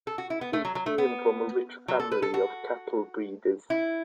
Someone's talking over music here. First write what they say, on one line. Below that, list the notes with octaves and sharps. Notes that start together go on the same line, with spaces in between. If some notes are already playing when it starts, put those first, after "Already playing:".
He came from a rich family of cattle breeders.
A4
F#4
E4
B3
A3
F#3
F#3
A3
B3
F#3
A4
B4
A4
F#4
E4